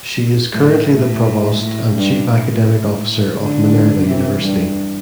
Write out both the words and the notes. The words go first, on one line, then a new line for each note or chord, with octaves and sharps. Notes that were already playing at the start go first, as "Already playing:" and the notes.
She is currently the Provost and Chief Academic Officer of Minerva University.
A2
A2
A2
G2
A2
D3
C3 E3
G2